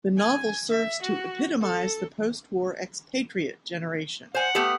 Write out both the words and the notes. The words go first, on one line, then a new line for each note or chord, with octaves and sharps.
The novel serves to epitomize the post-war expatriate generation.
G#5
E5
F#4
A4
C5 F#5 G#5
A3 B3 G4